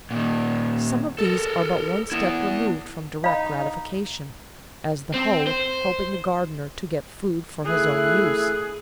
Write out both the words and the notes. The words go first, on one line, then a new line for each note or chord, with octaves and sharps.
Some of these are but one step removed from direct gratification, as the hoe helping the gardener to get food for his own use.
A#2 D#3
A4 A#4
B3 E4
D#4 F5 B5
C4
C5
A3 E4 G#4 F#6